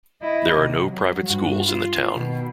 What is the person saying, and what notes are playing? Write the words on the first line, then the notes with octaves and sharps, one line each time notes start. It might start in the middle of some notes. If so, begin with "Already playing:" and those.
There are no private schools in the town.
E4 D#5
C3
F#3
G2 F#4
F4
B2 D#3